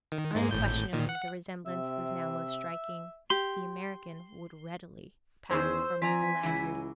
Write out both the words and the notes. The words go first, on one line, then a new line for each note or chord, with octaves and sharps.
Unquestionably the resemblance was now most striking; the American would readily pass for Michael Lanyard.
D#3
G#2 G#3 A#3
G#1 A2 G6
A#2 D#3
F#5
C3 E5
G4 C6
E2 D#3 C#4 G#4 C5 E6
F3 C4 D5 G#5 A#5 B6
C#2 E3 F#3 E4